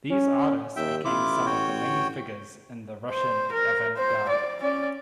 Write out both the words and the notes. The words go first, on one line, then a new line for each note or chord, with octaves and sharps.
These artists became some of the main figures in the Russian avant-garde.
C#4
D#2 E5 G5
A1 E4 F4 D6
F#4 C#5 G5
C5
A#4
C5
D5
C#4 D5